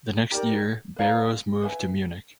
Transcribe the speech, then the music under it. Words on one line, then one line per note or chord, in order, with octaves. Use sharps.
The next year, Bayros moved to Munich.
D#4 G4 A#4 D5
B4 D5 F5 A#5
B4 E5 G#5